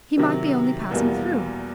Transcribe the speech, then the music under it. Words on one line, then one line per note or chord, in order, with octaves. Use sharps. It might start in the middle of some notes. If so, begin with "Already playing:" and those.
He might be only passing through.
C3 D#3 F#3
E2 B2 G3 A#3